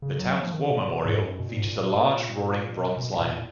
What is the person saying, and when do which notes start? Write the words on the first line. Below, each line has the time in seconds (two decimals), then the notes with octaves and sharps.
The town's war memorial features a large roaring bronze lion.
0.02 C#3
0.19 F#3
0.37 F3
0.53 D#3
0.70 B2
0.88 B2
1.05 G#2
1.22 F#2
1.39 B2
1.48 A#2
1.56 G#2
1.64 A#2
2.76 B2
2.97 B2
3.21 A#2